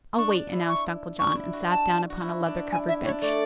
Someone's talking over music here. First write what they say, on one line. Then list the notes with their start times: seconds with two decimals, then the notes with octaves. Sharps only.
"I'll wait," announced Uncle John, and sat down upon a leather-covered bench.
0.18 D4 C#6
0.35 D4
0.52 E4
0.69 C#6
1.19 D4 C#6
1.36 E4
1.53 F#4
1.71 A5
2.10 F#4
2.21 E4
2.46 D4
2.72 E4 G#5
2.88 E4 E5
3.05 D4 C#5
3.22 A3 D5